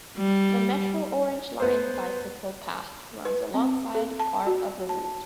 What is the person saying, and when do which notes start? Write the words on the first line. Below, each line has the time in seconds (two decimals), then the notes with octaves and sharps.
The Metro Orange Line bicycle path runs alongside part of the route.
0.17 G3
1.60 B3 C5
3.25 B4
3.54 C4
3.95 A4
4.20 A5
4.47 F#4
4.89 A5